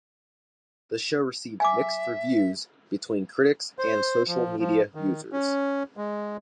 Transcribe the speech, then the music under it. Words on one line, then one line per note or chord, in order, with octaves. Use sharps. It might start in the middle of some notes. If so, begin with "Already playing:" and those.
The show received mixed reviews between critics and social media users.
E5 G#5 D6
C5
F3
F3
D#3
C#4
G#3